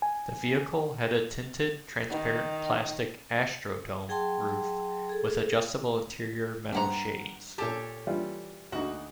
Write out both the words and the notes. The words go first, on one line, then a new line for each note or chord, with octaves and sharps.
The vehicle had a tinted, transparent, plastic "astrodome" roof with adjustable interior metal shades.
G#5
D#3
F#3 G#4 G5 A5 C6
G#4 A4
G2 D4 F#5 A#5 C6
A#2 G4 A4 C#5 G#5 A5
E3 G3 F4
D2 D#4 F#4